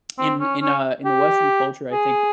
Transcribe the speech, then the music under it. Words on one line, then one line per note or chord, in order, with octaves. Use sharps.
In in a in the Western culture, I think,
C4
C#4
C#4
G4
G#4